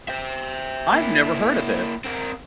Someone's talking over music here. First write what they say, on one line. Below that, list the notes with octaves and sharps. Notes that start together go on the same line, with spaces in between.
I've never heard of this.
C5 E5
A#3 E4
C4 A#4